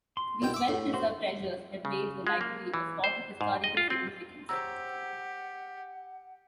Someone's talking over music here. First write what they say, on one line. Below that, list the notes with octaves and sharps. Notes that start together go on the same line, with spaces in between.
These well-preserved treasures have made the library a spot of historical significance.
C6
C2 B2 G5
E5 D6
A2
F#4 C5
C#3
G#3
A#3
E3
C5
G#2
D#5
F4
C4
G4 C5 C#5 F#5 A#5 E6